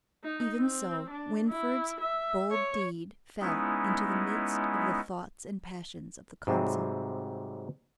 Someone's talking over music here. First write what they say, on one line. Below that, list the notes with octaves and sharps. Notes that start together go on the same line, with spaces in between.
Even so Winfried's bold deed fell into the midst of the thoughts and passions of the council.
D#4
C4
D4
E4
E5
C#5
G#3 B3 C#4 D#4 E4
G#2 C3 F#3 G3 C4